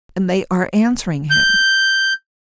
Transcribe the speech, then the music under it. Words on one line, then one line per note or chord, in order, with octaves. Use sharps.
And they are answering him!
G6